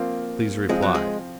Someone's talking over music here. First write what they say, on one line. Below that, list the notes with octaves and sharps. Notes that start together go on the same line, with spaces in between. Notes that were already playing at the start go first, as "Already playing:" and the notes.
Please reply.
Already playing: F3 A#3 C4 F4
F3 G#3 C4 F4
F#3
G#3